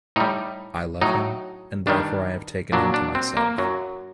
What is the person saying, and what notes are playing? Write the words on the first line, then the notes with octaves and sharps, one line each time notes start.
I love him, and therefore I have taken him to myself.
A2 G3 D#4
A2 F#3 D#4
G2 D#3 G3 D4
A#2 F#3 D4
D4
C4
A#3
F#2 F#3